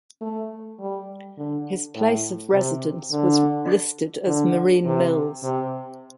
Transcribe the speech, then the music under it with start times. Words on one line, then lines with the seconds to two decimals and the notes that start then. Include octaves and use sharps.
His place of residence was listed as Marine Mills.
0.21 A3
0.79 G3
1.38 D3
1.95 A2
2.53 C3
3.11 D3
4.27 D3
4.85 C3
5.43 C3